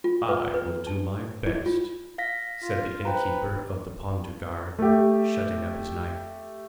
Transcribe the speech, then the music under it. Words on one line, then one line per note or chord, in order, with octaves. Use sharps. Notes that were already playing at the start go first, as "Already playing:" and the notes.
"I will do my best," said the inn-keeper of the Pont du Gard, shutting up his knife.
F4
B4
B4
A5
E4
F4
F5 A#6 B6
F4
B4 C5 G5 A#5
A3 G4